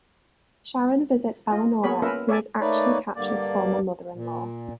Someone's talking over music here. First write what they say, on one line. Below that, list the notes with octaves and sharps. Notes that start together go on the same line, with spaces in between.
Sharon visits Elanora who is actually Catch's former mother-in-law.
F4 D#5
A#3 B3 G#4 C#5 B5
A#3 C#4 F4 A#4 B4 E5
C#5 D5 E5 G#5 A5
A3 A#3 D#4 B4 C#5 D5
G2 D3 A#3 D5
A#2